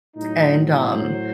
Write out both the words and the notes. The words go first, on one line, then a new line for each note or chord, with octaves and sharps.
and, um,
A2 F#3 D#4
C5